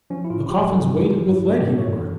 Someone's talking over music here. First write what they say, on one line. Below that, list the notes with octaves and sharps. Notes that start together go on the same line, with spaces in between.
"The coffin's weighted with lead!" he remarked.
F3 C#4
E4
A2 F4
F3 G4
G2 A4
E3
E3 F4
G2 E4
G2 A4
G4
G2 A4
C#5
E3 A4